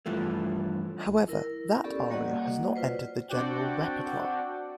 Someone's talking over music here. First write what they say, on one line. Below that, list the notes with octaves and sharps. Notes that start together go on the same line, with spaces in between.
However, that aria has not entered the general repertoire.
G2 E3 F3 A3
E4 A#4
B3 C#4 G4 A4 D5 C#6
G3 A#3 F#4 D5 D#5 F#5
F4 B4 C5
C4 D4 F#4 D5 F#5 G5